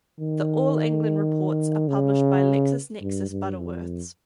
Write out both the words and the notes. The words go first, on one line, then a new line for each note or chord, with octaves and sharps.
The All England reports are published by LexisNexis Butterworths.
D#3
C#3
G2
G2
F2